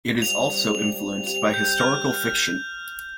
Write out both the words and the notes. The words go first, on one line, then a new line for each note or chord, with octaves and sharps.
It is also influenced by historical fiction.
G3 C4 F4 F7
F7
G3 C4 G4 F7
G6
F6